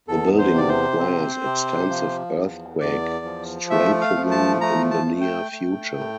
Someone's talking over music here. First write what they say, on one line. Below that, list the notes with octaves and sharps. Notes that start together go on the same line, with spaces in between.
The building requires extensive earthquake strengthening in the near future.
E2 A4
C5
C3 D5
C5
C4
C3
F3
E2
E2 D5
F3
A3 E5
F5
F3
A5
A3 A#5
A5
A3
G5
A3
A2